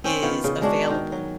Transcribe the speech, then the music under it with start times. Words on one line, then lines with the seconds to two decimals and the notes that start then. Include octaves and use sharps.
is available
0.04 C4 C#4
0.22 D#3 B3 F4 C#5
0.44 C#3
0.62 G#3 D4 F#4
0.90 D#3
1.12 F#3